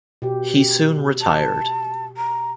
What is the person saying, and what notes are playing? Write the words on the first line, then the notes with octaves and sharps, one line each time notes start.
He soon retired.
B2 G4
G4
A5
A#5